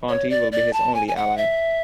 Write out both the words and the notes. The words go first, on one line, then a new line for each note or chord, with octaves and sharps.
Ponti will be his only ally.
C#5
D5
D5
A5
G#5
G#5
F#5
E5